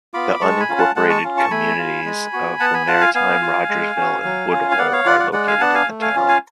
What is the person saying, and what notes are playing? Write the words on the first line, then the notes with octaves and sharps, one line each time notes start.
The unincorporated communities of Lamartine, Rogersville, and Woodhull are located in the town.
B3 F4 B5 D6
G#3 A5 C#6
G#5 B5
C#4 F4
F#5 A5
G#3 F#5 A5
A5 C#6
C#4 F4
A5 C#6
A3 G#5 B5
F4
G#3
B3 F#4
B3 F#5 A5
G#5 B5
F4 F#5 A5
F5 G#5
B3 F5 G#5
F4
G#3
C#4 F#4
F#3
C#4 F4
G#5
B3 D5 F#5
C#5 F5
F4 D5 F#5
D5 F#5
G#3 D5 F#5
F5 G#5
B3 D4 F#5 A5
F5 G#5
A3
F5 G#5
C#4 F4
F5 G#5